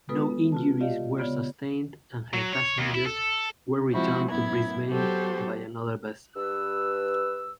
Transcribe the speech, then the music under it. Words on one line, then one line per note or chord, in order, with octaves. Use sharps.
No injuries were sustained, and her passengers were returned to Brisbane by another vessel.
G#3 B3 F4 A4 B4 D#6
F4 F#4 A5
F4 G4 D5 D#5 F5
C#3 B3 C#5 D5
F#3
C#5
D#2
E4
A4
F3 G#3 C4 E4 F#4
F#2 A2 B3 E4 G#6
F#3 B3 F#4 G4 A4 C5
G2 B4 E6